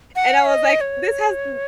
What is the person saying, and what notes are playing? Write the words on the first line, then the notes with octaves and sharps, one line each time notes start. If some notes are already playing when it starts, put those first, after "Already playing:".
and I was like, "This has b
F#5
D#5
C#5